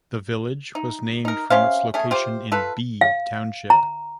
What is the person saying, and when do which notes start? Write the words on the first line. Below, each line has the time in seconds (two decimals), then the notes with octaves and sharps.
The village was named from its location in B Township.
0.75 D#4
1.25 D#4 A#4
1.50 C3 C#4 C5 F5
1.94 A3 C#4 G#4
2.11 F4 G4 C5
2.52 F4 A4 B4
3.01 F5
3.70 A#5